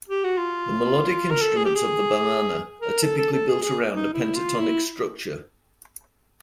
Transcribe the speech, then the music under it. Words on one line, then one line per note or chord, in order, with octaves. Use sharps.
The melodic instruments of the Bamana are typically built around a pentatonic structure.
G4
F#4
F4
A#4
A4
G#4
G4
G#4
A#4
A4
A4
A4
G#4
G#4
D#4
E4
F4
E4